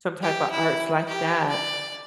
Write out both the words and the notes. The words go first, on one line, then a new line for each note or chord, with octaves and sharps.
some type of arts like that.
G4
E4
G4
D5